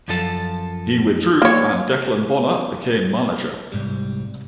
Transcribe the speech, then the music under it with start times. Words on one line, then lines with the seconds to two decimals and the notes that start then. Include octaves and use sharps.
He withdrew and Declan Bonner became manager.
0.08 F#2 F3 D#4 A4 F5 A5
1.42 A#3 C#5
3.72 C2 G#2 G3